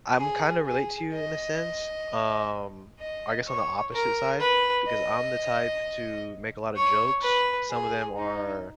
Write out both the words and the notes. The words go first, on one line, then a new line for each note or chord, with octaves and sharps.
I'm kinda relate to you in a sense, um, I guess, on the opposite side, because I'm the type to make a lotta jokes, some of them are
G#4
G#4
D#5
D#5
C#5
A#4
B4
D#5
C#5
B4
G#4
D#4